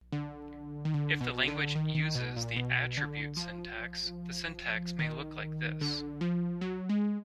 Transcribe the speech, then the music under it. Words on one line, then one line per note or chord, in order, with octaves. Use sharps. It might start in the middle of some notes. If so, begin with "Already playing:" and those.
If the language uses the attribute syntax the syntax may look like this.
D3
D#3
D3
B2
D3
D#3
D#3
B2
A#2
B2
D3
F3
D#3
D3
F3
F#3
G#3